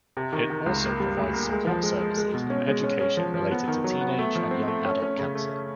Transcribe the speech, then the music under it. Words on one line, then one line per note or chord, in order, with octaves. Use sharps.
It also provides support services and education related to teenage and young adult cancer.
C3
D#3
D#3
C#2
A#3
G3
D2
A#3
G#3
F3
G#3
G#3
G#3
B2
C#4
G#3
C#4
C#4
F3
F3
B3
D#3
F#3
B3
A3
F3
C4
A3
C#4
C#4
C#3
A3